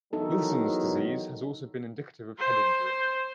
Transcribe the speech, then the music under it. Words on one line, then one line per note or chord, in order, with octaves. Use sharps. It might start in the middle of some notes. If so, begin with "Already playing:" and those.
Wilson's disease has also been indicative of head injury.
E2 D#3 F#3 D#4 A4
C5